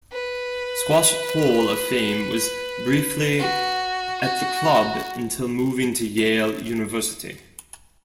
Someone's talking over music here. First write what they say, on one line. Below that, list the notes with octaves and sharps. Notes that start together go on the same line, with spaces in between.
Squash Hall of Fame was briefly at the club until moving to Yale University.
B4
F#4
F#4